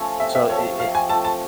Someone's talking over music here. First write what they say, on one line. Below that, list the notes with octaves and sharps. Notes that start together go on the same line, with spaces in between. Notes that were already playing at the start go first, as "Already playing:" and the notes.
So it it
Already playing: F3 A3 C#4
C3 E5
E5
F3 A3 C#5
C3 F5
G#5
F3 A3 A5
A5